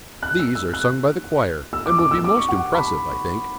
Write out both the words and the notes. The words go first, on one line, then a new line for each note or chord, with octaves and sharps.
These are sung by the choir, and will be most impressive, I think.
F#6
E6
E6
F#6
E6
D6
D6
E6
D6
C#6
F#5
B5